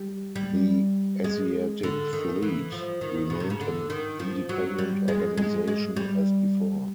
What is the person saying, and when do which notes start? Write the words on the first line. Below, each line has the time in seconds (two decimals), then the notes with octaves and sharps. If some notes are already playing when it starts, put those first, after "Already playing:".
The Asiatic Fleet remained an independent organization as before.
Already playing: G3
0.36 G3
1.24 G#3
1.83 D3
2.13 D#3
2.42 E3
2.72 F3
3.01 D#3
3.30 B2
3.40 C3
3.50 C#3
3.61 D3
3.90 D#3
4.20 F3
4.49 F#3
4.79 G3
5.08 G#3
5.37 G#3
5.68 G#3
5.96 G3